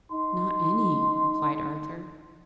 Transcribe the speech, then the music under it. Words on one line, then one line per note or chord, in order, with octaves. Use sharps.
"Not any," replied Arthur.
D#4 C6